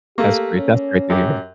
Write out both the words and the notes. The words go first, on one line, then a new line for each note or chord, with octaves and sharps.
That's great that's great to hear.
A3 A#3 G4
C#4
F#2 G4